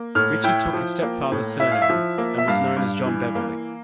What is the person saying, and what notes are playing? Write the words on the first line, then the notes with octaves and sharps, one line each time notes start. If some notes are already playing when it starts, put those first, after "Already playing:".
Ritchie took his stepfather's surname and was known as John Beverley.
Already playing: A#3
A2 F6
E4 G5
F3
A#3
A2
E4 E5
F5
E5
F3
A#3
E5
G2 F5
G2
E3
A#3